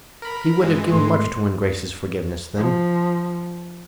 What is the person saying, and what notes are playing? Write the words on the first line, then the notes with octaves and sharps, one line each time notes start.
He would have given much to win Grace's forgiveness then.
A#4 B5
G2 E3 G#3
G#2 A3 C6
F3